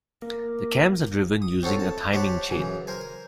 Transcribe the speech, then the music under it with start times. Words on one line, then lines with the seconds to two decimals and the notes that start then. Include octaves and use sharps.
The cams are driven using a timing chain.
0.22 A#3
1.42 D#6
1.63 C4 F4 F#4 A4 C5 C#5
1.80 A5
2.13 G4 C5 C#5 E5 F#5 A5
2.51 F#2 C#3 E3
2.87 A#4 C5 G#5